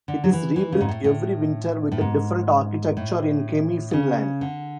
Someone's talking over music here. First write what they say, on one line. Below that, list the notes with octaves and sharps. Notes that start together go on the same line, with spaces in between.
It is rebuilt every winter with a different architecture in Kemi, Finland.
D3
F#3
E3
E3
C#3
G#2
A2
A2
A2
G#2
A2
C#3
D3